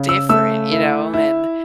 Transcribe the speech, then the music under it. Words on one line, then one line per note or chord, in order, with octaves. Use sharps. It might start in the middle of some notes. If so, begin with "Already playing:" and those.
different." You know? And
Already playing: C#3
E6
A3 E6
E4
E4